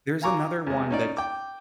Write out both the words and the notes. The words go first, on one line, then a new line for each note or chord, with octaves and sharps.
There's another one that's
F5 G#5 A#5 C#6 D6
E2 G#3
C#4 D#4 D5
G5 D6